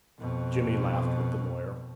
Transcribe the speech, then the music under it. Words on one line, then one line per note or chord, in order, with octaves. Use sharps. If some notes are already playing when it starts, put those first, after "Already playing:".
Jimmy laughed with the lawyer.
F2 B2